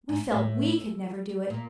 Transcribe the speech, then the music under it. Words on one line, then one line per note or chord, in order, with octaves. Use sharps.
We felt WE could never do it.
G#2
A2
A#2